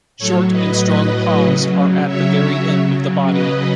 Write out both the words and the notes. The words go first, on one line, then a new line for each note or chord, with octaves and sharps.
Short and strong paws are at the very end of the body.
A2 F#3 A4 C#5
B4 D#5
B4 D#5
C#3 F#3
C#5 E5
C#3 F#3
B4 D#5